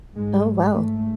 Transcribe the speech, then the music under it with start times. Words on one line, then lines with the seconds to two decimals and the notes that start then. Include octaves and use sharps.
Oh, wow.
0.16 G#2 G#3
0.71 G#2 A3